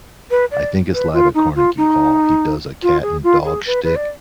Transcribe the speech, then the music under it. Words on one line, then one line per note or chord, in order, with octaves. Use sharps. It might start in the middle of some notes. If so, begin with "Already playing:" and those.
I think it's Live at Carnegie Hall; he does a cat and dog shtick
B4
D5
B4
F4
D#4
F4
D#4
F4
G#4
F4
G#4
B4
B4
D5